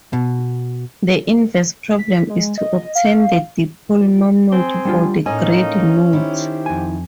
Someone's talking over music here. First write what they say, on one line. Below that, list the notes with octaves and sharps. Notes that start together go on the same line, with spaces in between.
The inverse problem is to obtain the dipole moments for the grid nodes.
B2
B6
G#3
D#5
F5
C4 G#4 G#5 C6
G3 D4 F4
A2 A#3 C#4 D#4 D#5 G#5
D#3 E4 G4 C5
F2 G#5